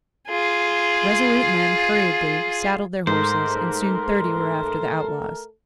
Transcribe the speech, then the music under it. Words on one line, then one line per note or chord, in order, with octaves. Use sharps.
Resolute men hurriedly saddled their horses, and soon thirty were after the outlaws.
F4 G#4
G#2 A3 A4 A#4 C5